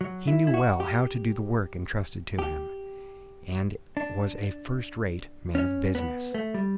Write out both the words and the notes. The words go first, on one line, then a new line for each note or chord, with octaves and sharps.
He knew well how to do the work intrusted to him, and was a first-rate man of business.
F#3
E4
E4
F#4
G4
G4
D4
C#4
B3
A3
G3